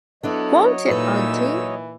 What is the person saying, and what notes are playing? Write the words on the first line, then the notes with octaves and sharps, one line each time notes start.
Won't it, auntie?
F#3 B3 D4 E4 A4 C#5 D#5
A#2 E3 D#4 A4 B4 E6